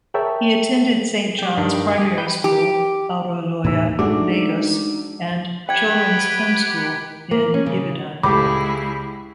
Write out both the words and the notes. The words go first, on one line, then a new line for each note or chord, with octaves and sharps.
He attended Saint John's Primary School, Aroloya, Lagos and Children's Home School in Ibadan.
G#4 A#4 C#5 E5 G5 A5
G4 G5
G2 D#3 D4
G4 G#4
B4 G5
G4
D#2 A2 D#4 E6
G#3 A3 D4 D#4 F#4 G#4 A4 D6
G4 B4 F#5 G5 G#6 F#7
A#3
C#4
C#3
C#2 G#3 E4 G4 A4 B5 D6